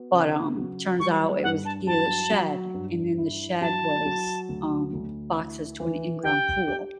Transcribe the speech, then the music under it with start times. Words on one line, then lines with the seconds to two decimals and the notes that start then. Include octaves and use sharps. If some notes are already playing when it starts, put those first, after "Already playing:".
but, um, turns out it was a key to the shed and in the shed was, um, boxes to an in ground pool.
Already playing: B3 F#4
0.13 C#3
0.57 F#3
1.00 G3 C#6
1.43 G2 F#5
1.65 A5
1.87 F#3 A5
2.31 F#3
2.74 G2
3.18 E4
3.61 F#3 A5
4.06 F#3
4.49 D2
4.93 D2
5.36 E4
5.80 E3
6.24 G4 G5
6.68 G4